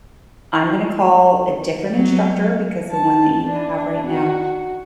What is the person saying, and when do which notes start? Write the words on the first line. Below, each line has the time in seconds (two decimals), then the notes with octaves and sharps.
I'm gonna call a different instructor because the one that you have right now
1.89 F#3
2.92 A5
3.50 D4
4.07 F#4